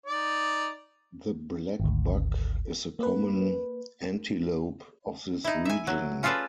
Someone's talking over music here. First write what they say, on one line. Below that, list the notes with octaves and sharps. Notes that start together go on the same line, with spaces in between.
The blackbuck is a common antelope of this region.
D#4 D5
G#1 D2
A#3 B4
D#4 E4
E5 G#5
F#3
C#4 F4 G#4 A4 B4 D5